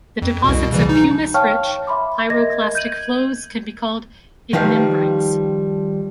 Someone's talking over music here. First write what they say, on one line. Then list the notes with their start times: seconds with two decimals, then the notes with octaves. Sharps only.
The deposits of pumice-rich pyroclastic flows can be called ignimbrites.
0.22 F2
0.44 C2 B2
0.72 C#3 E3 G3
0.89 D#4
1.34 C#5 F5 G5 A5 C#6 F6
1.87 E5 B5 C6 D6
2.30 A#4 D#5 E5 G#6 A#6
2.75 G6 G#6 D#7 F#7
4.53 D#3 F3 G3 B4 F5